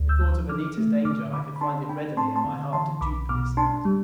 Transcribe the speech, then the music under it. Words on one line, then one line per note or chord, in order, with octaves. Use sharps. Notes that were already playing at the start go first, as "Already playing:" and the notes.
With thought of Anita's danger I could find it readily in my heart to dupe this Amazon.
Already playing: D2
E6 G6
F3
E3 D6 F6
A3
D3 D6 F6
D3 B5 D6
B5
D4 A5 C6
D4 G5 B5
C4 A5 C6
A5 C6
D3
E3 A5 C6
B1 B5 D6
B2 D6 F6
D4 A5 C6
G3